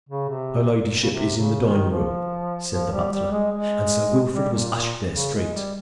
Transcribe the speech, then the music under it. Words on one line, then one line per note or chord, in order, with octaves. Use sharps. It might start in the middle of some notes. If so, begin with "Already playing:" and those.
"Her ladyship is in the dining-room," said the butler, and Sir Wilfrid was ushered there straight.
C#3
C3
A#2
C#3
C3
C#3
D#3
F3
F3
G3
G3
G#3
G#3
G3
A#2
A#2
C#3
G#3
G3